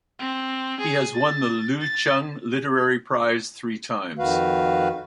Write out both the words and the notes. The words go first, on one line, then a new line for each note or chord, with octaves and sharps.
He has won the Lu Xun Literary Prize three times.
C4
G#4
A6
A6
F2 D#3 F#4 B4 F5